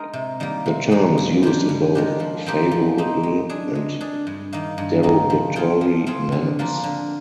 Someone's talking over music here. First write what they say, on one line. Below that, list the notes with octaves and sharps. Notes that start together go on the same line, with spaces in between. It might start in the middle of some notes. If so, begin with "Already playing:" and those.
The term is used in both favorable and derogatory manners.
Already playing: G#3 D#4 A#4
C3
D#3 G3 A#3
C3
D#3 G3 A#3
G2
D#3 G#3 D4 G4
G2
D#3 G#3 D4 G4
F3
C4 D#4 G4
F3
C4 D#4 G4
G#3
D4 G#4
G#3
D4 G#4
G2
D#3 A#3 D#4
G2
D#3 A#3 D#4
F3
C4 F4 G#4
F3
C4 F4 G#4
D3
F3 A#3 D4 F4
D3